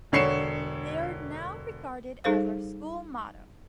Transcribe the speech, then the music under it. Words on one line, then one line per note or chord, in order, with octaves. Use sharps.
They are now regarded as our school motto.
E1 D3 C#5 C7 C#7 E7
G3 D#4 G#4 A4 C5 F5